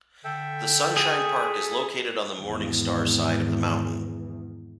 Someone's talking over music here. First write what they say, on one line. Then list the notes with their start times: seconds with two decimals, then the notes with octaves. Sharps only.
The Sunshine Park is located on the Morning Star side of the mountain.
0.24 D3 A4 E5 G5
0.97 G#4
2.41 G#1 E2